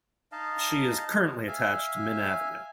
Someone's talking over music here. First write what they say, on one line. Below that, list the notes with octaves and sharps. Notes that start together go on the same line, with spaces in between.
She is currently attached to Mint Avenue.
D#4 D#5 F5 A5
E5 F5 G#5